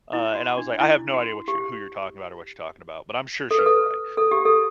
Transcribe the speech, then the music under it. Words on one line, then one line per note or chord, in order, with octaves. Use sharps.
Uh, and I was like, "I have no idea what you're who you're talking about or what you're talking about, but I'm sure she's right."
E4
F#4
D4
E4
F#4
G4
A4
B4
A4
A4
G4
A4